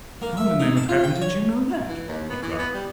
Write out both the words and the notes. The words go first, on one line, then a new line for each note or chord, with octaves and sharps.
"How in the name of Heaven did you know that?" he cried.
A#3
E5
D#4
A5
F4
G5
C#5
E3
D#2
B3
E3
B3
G3